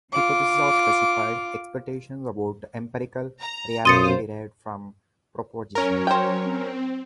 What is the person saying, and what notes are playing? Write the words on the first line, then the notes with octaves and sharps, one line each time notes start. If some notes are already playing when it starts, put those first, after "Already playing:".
Hypotheses are specified expectations about empirical reality derived from propositions.
F4 D6
A#5
B1 F#2 F4 C5 C6 D#6 A6 C#7
F#3 C#4 A#4 C#5
C5 G5
C4